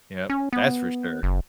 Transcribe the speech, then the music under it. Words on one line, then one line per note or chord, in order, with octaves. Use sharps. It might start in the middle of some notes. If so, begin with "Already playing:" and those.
Yep, that's for sure.
C#4
B3
F#1